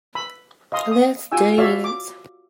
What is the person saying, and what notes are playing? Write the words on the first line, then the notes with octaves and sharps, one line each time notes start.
Let's dance.
B5
D#5 F5 C6 D#6
D#6
F4 G4 G5 G#5 E6
F#4 C#5 D5 E5 F5 E6
D6